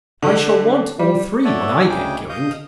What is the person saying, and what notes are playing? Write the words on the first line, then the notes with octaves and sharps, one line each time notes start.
I shall want all three when I get going.
D3
G3
A4 C#5 D5 E5 F#5
D2 C#3 G#3 G#4 G5 D6
D#5 F5 D#6 G6